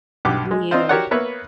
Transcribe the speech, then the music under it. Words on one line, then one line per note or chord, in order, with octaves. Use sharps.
Me either.
B1 G2 G4 F#5 D6
G#3
C4 D4 D#4 F4 C5
F#4 G4 A#4 C#5 D5 F#5
A#3 B3 B4 C#5 E5